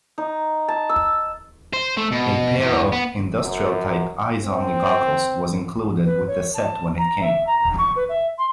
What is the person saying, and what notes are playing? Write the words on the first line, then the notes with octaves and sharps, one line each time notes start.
A pair of industrial-type eyes-only goggles was included with the set when it came.
D#4
A5
E6
C5
A3
B2
E2
B3
F#2
C4
B4
C#5
A5
A#5
E5
A#5
C#6
B4
E5
C6